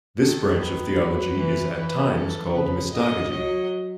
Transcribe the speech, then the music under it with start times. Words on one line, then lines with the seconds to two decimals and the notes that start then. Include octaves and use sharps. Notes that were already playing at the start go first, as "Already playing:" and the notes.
This branch of theology is at times called mystagogy.
0.19 D#3 A4
0.58 B4
0.97 F#3
1.35 E3
1.75 E3 B4
2.14 E3 A4
2.52 C#3 B4
2.91 A2 D#5
3.30 F#3 D#5